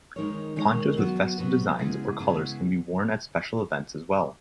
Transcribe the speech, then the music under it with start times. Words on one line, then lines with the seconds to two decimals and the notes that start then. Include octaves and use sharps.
Ponchos with festive designs or colors can be worn at special events as well.
0.16 D#3 G#3 D#4 A#4 C#5
0.56 D#3 G#3 D#4 A#4 C#5
0.97 F#3 B3 F#4 B4
1.38 F#3 B3 F#4 B4
1.78 C#3 G#3 B3 E4 G#4
2.19 C#3 G#3 B3 E4 G#4